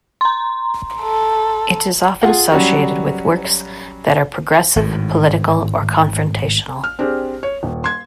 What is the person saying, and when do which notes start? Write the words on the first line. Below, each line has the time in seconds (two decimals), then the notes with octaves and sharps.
It is often associated with works that are progressive, political, or confrontational.
0.21 A#5 C6
1.02 A4
2.22 F4 G#4 F#5
2.52 F#3 G3 C#4 F#4
4.76 G#1 A2
6.84 F6
6.99 C4 D4 G4 G#4
7.43 C#5
7.63 D#1
7.84 C6 G#6